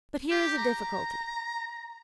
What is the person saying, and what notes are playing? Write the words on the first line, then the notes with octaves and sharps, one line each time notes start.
But here is a difficulty.
G4
A#5